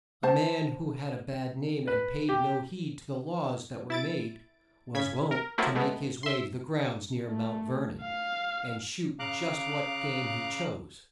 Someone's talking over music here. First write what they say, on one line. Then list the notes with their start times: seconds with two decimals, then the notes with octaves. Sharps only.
A man who had a bad name and paid no heed to the laws that were made, was wont to make his way to the grounds near Mount Ver-non and shoot just what game he chose.
0.23 C5 A5
1.87 B4
2.29 G4
3.90 E4 A6 D7
4.95 C#3 G#6 B6
5.31 A#4
5.58 F3 F#3 A3 A#3 C4 E4
5.75 G#3 A3 B3
6.23 E5 C6
7.27 A3
8.02 F5
9.19 C#3 F5 A#5 D6 F#6